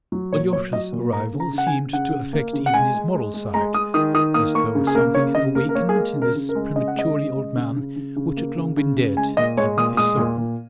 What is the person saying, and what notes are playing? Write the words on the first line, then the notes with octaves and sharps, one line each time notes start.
Alyosha's arrival seemed to affect even his moral side, as though something had awakened in this prematurely old man which had long been dead in his soul.
F#3
A#2 C#5
F#3 C#5
F#3 D#5
A#2
A#3 A#5
C#3
A#5
C#3 F#5
G#5
C#3
C#3 F#5
C#3
A#3
C#3
F#5
G#3 G#5
G#3
G#3
G#3
G#3 A#5
G#3 D#6
D#3 D#6
D#3 D#6
A#3 D#6
A#3 C#6
C#3
G#4
A#3 A#4
C#3 C#5
C#3 D#5
A#3 A#4
A#4
A#3 C#5
G#4
G#3 A#4
C#3
A#4
C#3
A#4
G#3
C#3 D#5
F#5
G#3 D#5
C#3
G#3
C#3
C#3
C#3
C#3
A#3
C#3
C#3
C#3
G#3 G#5
A#2 D#5
G#3 C#5
A#2 D#6
G#3 D#6
A#2
A#2